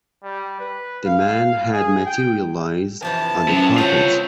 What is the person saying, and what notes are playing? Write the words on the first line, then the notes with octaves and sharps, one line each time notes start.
The man had materialized on the carpet.
G3
B4
F5
G#4
G5
F2 C3 E3 A5
F#3 C#4
C4 F4 C#5 F#5